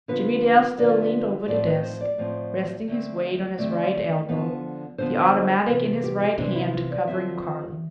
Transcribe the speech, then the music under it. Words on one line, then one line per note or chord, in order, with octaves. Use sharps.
Jimmie Dale still leaned over the desk, resting his weight on his right elbow, the automatic in his right hand covering Carling.
D3 F3 B3 B4
D3 F3 B3 D5
E5
A2 F3 C4 D5
B4
C5
D5
A2 F3 C4
D3 A3 C4
D3 A3 C4 D5
D3 F3 B3
D3 F3 B3 C5
C3 E3 B3 B4
A4
G4
G4
C3 E3 B3 D4
E4
F4
D5
D3 F3 C4 E5